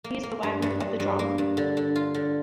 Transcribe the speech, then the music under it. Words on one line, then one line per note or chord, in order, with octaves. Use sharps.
He is the Wagner of the drama.
A#3
A#3
G2
G2
G2
G2
A#3
G2
D3
D3
F4
D3